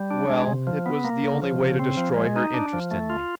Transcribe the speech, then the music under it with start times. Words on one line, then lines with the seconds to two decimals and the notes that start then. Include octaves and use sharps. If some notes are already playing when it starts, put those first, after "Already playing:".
Well, it was the only way to destroy her interest in me.
Already playing: G3
0.11 D4
0.29 G#3
0.48 C3
0.67 F3
0.86 B3
1.04 A#3
1.24 C#3
1.42 F3
1.60 C#3
1.79 C4
1.97 F3
2.16 G#3
2.36 D#4
2.54 D4
2.73 F3
2.91 A3
3.10 F4